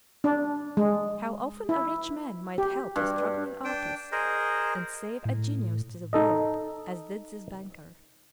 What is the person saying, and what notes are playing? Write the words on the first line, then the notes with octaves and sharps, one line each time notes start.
How often a rich man might help a struggling artist, and save a genius to the world, as did this banker!
D4
G#3
E4
G4
G2
D4 G5
G#4 A#4 C5 D#5
A2
D#4 A4 D#5